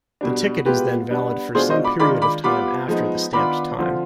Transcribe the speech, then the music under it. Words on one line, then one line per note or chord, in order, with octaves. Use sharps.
The ticket is then valid for some period of time after the stamped time.
B2 G3 D4
B2 G#3 B3 F4 G4 B4
G3 B3 D4
B2 G#3 D4 F4 G#4 C5
C5 D#5
B5 D6
D#3 G#3 D4 F4 B5 D6
B5 D6
G3 B3 F4 B5 D6
F3 G#3 B3 D#4
D#3 B3 D4 F4 B5 D6
D3 F3 C4 F4